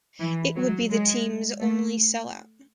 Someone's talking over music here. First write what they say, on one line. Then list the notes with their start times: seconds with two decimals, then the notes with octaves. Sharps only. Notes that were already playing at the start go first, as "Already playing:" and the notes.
It would be the team's only sellout.
0.20 E3
0.55 F#3
0.90 G#3
1.61 A3